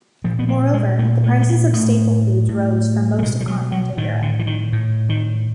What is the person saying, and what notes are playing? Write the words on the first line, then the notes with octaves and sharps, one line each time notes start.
Moreover, the prices of staple foods rose for most of continental Europe.
A#2 F3
B3
A#3
G#3
A#2 A3
A3
A3
A#3
A2 A3
A2
A3
B2 G#3
G3
F#3
F#3
A2 D#3
D3
E3
D#3
A2
D#3